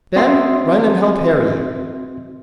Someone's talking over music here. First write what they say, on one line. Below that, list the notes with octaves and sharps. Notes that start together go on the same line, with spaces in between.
Ben, run and help Harry.
C4 F#4 D#5 E5 C6